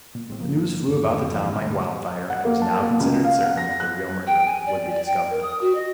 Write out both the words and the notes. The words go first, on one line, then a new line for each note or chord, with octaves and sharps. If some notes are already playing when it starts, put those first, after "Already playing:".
The news flew about the town like wildfire, and it was now considered certain that the real murderer would be discovered.
A#2
A1 G#3 C4
G1 F3 A#3
F#1 F2 G#2 D#3
A#2 E3 F3 G#3
D2 G2 A#2
F#5
A#3
A5
A#3
C#2
F5
F#5
A#6
F#6
G5
G#5
D5
D5
G5
A#4
D#6
F#4
D#5